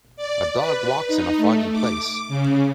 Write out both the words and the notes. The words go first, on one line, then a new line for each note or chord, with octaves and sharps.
A dog walks in a foggy place.
D5
B4
D#4
A3
D6
C#3